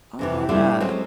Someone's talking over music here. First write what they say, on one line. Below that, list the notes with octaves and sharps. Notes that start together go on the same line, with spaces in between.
Oh, yeah.
F2 C3 E3
G3 A3 D4 E4 F4 G4
F#3 G#3 A3 C4 C#4